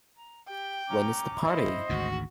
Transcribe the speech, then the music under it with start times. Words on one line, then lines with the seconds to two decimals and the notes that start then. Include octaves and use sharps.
When is the party?
0.17 A#5
0.48 G4 G5
0.88 C#4 A#5 D6
1.46 E4 C5 D#5 F#5
1.89 G#1 D2 G#2 F#4